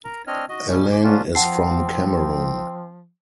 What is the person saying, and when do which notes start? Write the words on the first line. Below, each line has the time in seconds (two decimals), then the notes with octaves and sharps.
Alang is from Cameroon.
0.05 A#4 A#5
0.27 C4 D4 C#5 D#5 F6
0.49 F#4 D#5
0.69 B2 F3 G3 C#4
0.92 D6
1.03 G#2 C#4 D4 F4
1.35 F3 C4 F#5 A5 C7